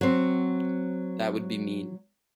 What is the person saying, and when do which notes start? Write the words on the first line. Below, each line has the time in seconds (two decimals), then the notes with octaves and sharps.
That would be mean.
0.01 F#3 C4